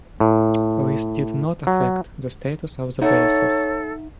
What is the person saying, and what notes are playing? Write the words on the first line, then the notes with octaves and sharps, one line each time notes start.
This did not affect the status of the bases.
A2
F#3
D#4 A4 C#5 E5 F#5